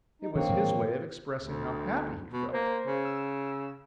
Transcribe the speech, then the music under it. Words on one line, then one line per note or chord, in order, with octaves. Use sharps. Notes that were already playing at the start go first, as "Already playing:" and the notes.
It was his way of expressing how happy he felt.
D#4
D#3 A#3 C4 D4 C#5
G#2 D#3 F3
D2
B2
A#3 C5
C#3
E6